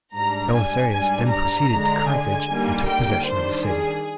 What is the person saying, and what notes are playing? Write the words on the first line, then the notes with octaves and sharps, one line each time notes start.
Belisarius then proceeded to Carthage and took possession of the city.
G#2 G3 D4 A#5
G#5
G#2 G3 D4 G#5
A#5
D3 G#3 D4
G#5
D3 G3 A#3 D#4
G5
D#3 G3 D4 C5
G#4